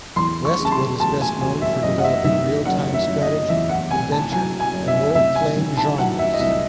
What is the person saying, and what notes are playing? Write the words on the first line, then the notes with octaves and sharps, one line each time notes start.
Westwood is best known for developing real-time strategy, adventure and role-playing genres.
E2 C6
C#6
C#3
A5
C6
E1 A5
G#5
E1 G#5
E5
F#2 D#5
F#5
E5
D#3 E5
F#1 F#5
E5
F#1
D#5
E2 E5
F#5
C3 G#5
A5
F#3 G#5
G#5
F#1
E5
C3 E5
G#5
D#3
A5
F#3 F#5
E5
D#5
C2 E5